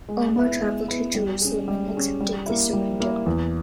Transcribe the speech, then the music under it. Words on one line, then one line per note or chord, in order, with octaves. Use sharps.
Omar travelled to Jerusalem and accepted the surrender.
G#3
B3 E4
G#3
B3 E4
G3
C#4 G#4
G3
C#4 G#4
G3
A#3 E4
G3
A#3 E4
E2